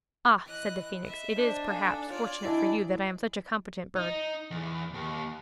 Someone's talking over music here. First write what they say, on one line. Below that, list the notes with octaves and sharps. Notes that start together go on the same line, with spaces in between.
'Ah!' said the Phoenix, 'it is perhaps fortunate for you that I am such a competent bird.'
E3 D#5 F#6
D#5 E5
D4 C5 D5
D#4 A4 F5 G#5
F4 C#5 D5
E3 D4 E4 F#4 D#5
D#4
E2
D#2